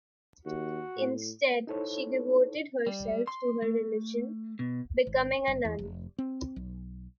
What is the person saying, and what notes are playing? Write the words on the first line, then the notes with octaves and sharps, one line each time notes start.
Instead, she devoted herself to her religion, becoming a nun.
D#2 F#4
A2
D#4 E4 A4 C5 C#5
G3
C6
A3
B2
G#1
G1
E2
F1
C4
B1